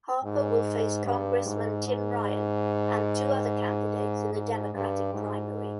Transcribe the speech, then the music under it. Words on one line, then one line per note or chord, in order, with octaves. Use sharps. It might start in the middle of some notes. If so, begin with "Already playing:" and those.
Harper will face Congressman Tim Ryan and two other candidates in the Democratic primary.
G#2
G2
G#2
G#2
G#2
G2
G#2